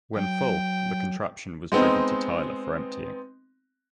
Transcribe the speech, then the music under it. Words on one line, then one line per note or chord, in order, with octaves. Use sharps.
When full, the contraption was driven to Tyler for emptying.
F#3 G5
G#3 B3 C4 D#4